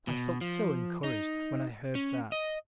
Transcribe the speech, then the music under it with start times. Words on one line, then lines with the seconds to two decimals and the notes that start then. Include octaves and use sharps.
I felt so encouraged when I heard that.
0.07 B2
0.41 F3
1.04 D#4
1.95 C#4
2.32 D#5